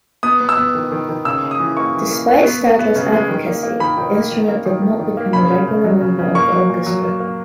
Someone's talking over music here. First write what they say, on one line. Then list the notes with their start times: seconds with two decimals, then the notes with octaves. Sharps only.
Despite Stadler's advocacy the instrument did not become a regular member of the orchestra.
0.23 B3 D#6
0.40 B3
0.49 E6
0.57 B3
0.75 D#3
0.92 D#3
1.09 D#3
1.25 C#3 E6
1.42 C#3
1.51 D#6
1.60 E3
1.77 A#3 C#6
1.94 E3
2.11 A#3
2.28 B3
2.44 B3
2.61 B3
2.79 B3
2.96 C#3
3.12 G#3
3.29 D#3
3.46 A#3
3.63 A#3
3.80 D#3 B5
3.98 D#3
4.14 A#3
4.31 D#3
4.48 A#3
4.66 D#3
4.82 D#3
4.99 D#3
5.17 A#3
5.33 C#3 B5
5.50 C#3
5.67 C#3
5.84 F#3
6.01 C#3
6.19 C#3
6.35 A#3 C#6
6.52 F#3
6.70 A#2
6.86 F#3
7.04 A#3
7.20 A#3